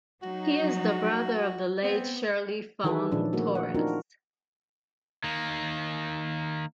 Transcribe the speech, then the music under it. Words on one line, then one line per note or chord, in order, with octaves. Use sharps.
He is the brother of the late Shirley Fong-Torres.
F#3 D#4 F#4
B3 C4
D#3 E3 E4 G#4 A4 B4
A#2 D#3 F3 C#4 D4
A3 A#3 F#4
F#5
C4 D4 D#4 F4 F#4 A#4
D#3 A#3